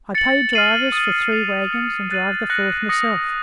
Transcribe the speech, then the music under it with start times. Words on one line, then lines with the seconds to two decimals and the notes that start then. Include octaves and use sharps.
I pay drivers for three waggons and drive the fourth myself.
0.15 A6 C#7 F#7
0.53 F6 C7 D#7 F#7
0.92 D#6 A6 D#7 F#7
1.32 A6 C7 F7
1.71 A6 C#7 F#7
2.11 F#6 A6 C7 D#7 F#7
2.50 F#6 A#6 C#7 F#7
2.89 D#6 A#6 C#7 F#7